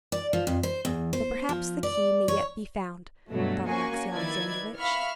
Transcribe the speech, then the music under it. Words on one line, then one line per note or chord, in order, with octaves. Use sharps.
"But perhaps the key may yet be found," thought Alexey Alexandrovitch.
D5
F3
F2
C5
E2
C5
F3
D5
C#5
G2 B2 F#3 A3
A#3 C#4 F#4 G#5 C#6
D#3 E4 B4 D5 G#6
E5 F5 B5 C#6 F6